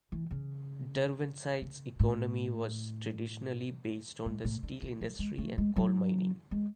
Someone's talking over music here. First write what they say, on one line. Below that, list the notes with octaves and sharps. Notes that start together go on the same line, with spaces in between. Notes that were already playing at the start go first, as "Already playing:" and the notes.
Derwentside's economy was traditionally based on the steel industry and coal mining.
E3
C#3
C#3
A2
G#2
A2
D3
E3
F#3
G#3
A3
G#3
F#3
G#3